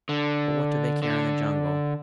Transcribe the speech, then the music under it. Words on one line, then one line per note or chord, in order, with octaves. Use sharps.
But what do they care in the Jungle?
D3
D3